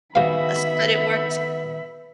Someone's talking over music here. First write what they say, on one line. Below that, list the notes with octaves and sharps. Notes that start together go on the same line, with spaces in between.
uh, s but it works
C3 D#3 B3 F#4 G#4 E5 F5 B5